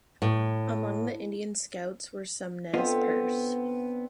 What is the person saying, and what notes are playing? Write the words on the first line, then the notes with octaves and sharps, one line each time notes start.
Among the Indian scouts were some Nez Perce.
A2
D3 B3 C4 F4 D#5